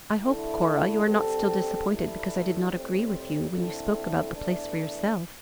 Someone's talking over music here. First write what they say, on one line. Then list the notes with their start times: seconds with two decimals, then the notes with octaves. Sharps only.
"I hope, Cora, you are not still disappointed because I did not agree with you when you spoke about the place for yourself."
0.22 D3 A3 E4
1.04 D3 G3 C4 A4
1.86 G2 E3 G3 E4 A4
2.69 A2 G3 C4
3.51 D3 A3 C4 E4 A4
4.33 E2 E3 A3 D4